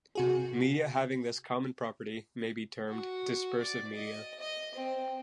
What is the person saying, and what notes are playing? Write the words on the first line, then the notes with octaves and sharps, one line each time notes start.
Media having this common property may be termed "dispersive media".
C3 F#4 G#4
F#4
D5
D#5
D#5
C4